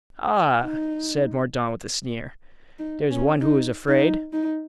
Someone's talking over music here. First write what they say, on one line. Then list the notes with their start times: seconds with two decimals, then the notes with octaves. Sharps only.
"Ah!" said Mordaunt, with a sneer, "there's one who is afraid."
0.63 D#4
2.79 D#4
3.10 C#4
3.41 D#4
3.88 D#4
4.33 D#4